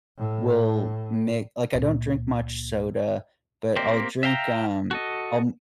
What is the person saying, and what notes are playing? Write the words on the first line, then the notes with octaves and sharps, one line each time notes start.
will make like, I don't drink much soda, but, I'll drink, um, I'll m
A2
C#2 A#2
A#3 C4 G4 A#4 C5
E5 F5 G5 A#5
F#4 A4 D#5